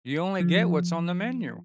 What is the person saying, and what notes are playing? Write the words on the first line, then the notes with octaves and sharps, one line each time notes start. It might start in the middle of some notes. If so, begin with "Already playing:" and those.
You only get what's on the menu.
F3